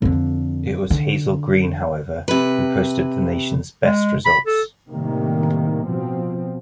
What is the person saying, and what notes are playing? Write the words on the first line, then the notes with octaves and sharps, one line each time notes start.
It was Hazel Greene, however, who posted the nation's best results.
F2 D3
D3
C3 B4
G#3
B5
A4
A2 C3 D#3 G3 A#3
B2 F3 C4